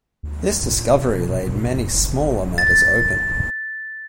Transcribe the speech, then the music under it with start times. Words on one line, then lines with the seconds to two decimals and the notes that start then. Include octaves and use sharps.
This discovery laid many smaller matters open.
0.23 D2
0.63 A#2
1.14 B2
1.47 B2
1.74 A2
1.94 F#1
2.58 A6